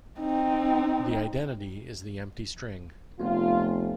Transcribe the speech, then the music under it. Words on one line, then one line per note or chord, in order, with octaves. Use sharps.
The identity is the empty string.
C4 D#4
F1 A3 B3 F4